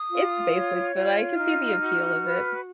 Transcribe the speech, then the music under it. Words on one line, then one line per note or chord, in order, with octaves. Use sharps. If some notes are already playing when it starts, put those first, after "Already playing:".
It's basic, but I could see the appeal of it.
Already playing: D#6
F4
C#5
F4
D#4 F6
F#4
B4